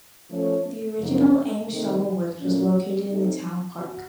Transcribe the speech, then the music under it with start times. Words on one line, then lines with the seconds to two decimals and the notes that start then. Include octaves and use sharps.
The original Ames Shovel Works was located in the Town Park.
0.30 F3 A3 C#4 A4 C#5
0.99 F#2 C#3 F3 A#3 D#4
1.69 C3 D#3 A3 C4
2.39 A#2 A3 C#4
3.09 A3 C4 D#4
3.78 F#4